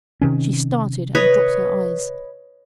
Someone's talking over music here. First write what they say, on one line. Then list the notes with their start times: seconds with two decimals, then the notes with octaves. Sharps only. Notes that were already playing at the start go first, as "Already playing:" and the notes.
She started and dropped her eyes.
0.22 C3 D#3 C#4
1.15 B4 C#5 D#5